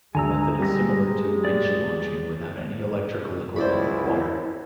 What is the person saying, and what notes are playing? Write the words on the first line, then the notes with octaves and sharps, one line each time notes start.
The method is similar to winch launching without any electrical equipment required.
D2 G#3 G#5 A#5 E6
G3 A#6
D5
C#2 E4 C5 D5 B5